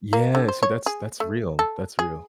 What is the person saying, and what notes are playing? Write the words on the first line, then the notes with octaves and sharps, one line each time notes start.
Yeah, see, that's that's real, that's real.
A#3
D3
C5
C#5
G#4
A3
A4
G#4